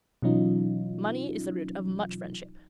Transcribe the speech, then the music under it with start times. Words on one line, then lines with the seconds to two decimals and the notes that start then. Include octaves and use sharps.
Money is the root of much friendship.
0.22 B2 E3 F#3 C#4 D#4 F4